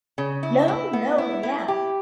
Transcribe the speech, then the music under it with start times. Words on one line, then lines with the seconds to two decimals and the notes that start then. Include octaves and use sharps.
No, no, yeah.
0.18 C#3
0.43 E4
0.68 E4
0.93 B3
1.18 E4
1.43 E4
1.68 G4